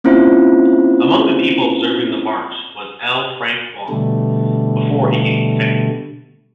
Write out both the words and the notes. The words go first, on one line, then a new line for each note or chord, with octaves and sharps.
Among the people observing the march was L. Frank Baum, before he gained fame.
A#3 C4 C#4 E4 F4 C5
B2 D3 G3 A3